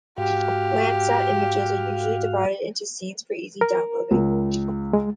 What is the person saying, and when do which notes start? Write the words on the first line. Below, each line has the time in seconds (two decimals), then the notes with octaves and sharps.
Landsat images are usually divided into scenes for easy downloading.
0.18 G#2 F#4 G4 F5
3.61 A#4
4.11 C#2
4.93 G#3